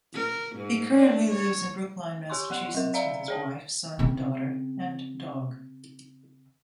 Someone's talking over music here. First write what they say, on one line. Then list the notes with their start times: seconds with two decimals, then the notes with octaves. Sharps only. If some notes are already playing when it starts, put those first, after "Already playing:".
He currently lives in Brookline, Massachusetts with his wife, son, daughter, and dog.
0.14 A#4
0.56 G#2
0.95 D4
1.30 C#5
2.30 G4 G#5 C6 C#6
2.50 F3 F#5 F#6 F7
2.75 F#3 A#4
2.94 D5 E5 F5 A#5
3.28 G#4 C#5 A5
3.99 C#3 C4